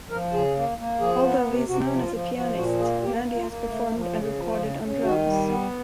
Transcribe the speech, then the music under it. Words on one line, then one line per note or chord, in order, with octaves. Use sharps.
Although he is known as a pianist, Lande has performed and recorded on drums.
F3 A#4
C#3 G#4
A#3
A#3
F3 G#4
B3
C3
C3 F#4
F3
F4
F3
F3 F#4
A#2 F#4
A#3 G#4
A#3 G4
A#3
F4
A#3
A3
F3
C#3
F3
C#3
C#3
D#3 F#4
G3
B3